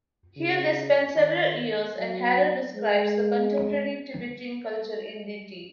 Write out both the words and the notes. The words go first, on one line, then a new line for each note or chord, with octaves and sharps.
Here they spent several years, and Harrer describes the contemporary Tibetan culture in detail.
C#3
D#3
F#3
G#3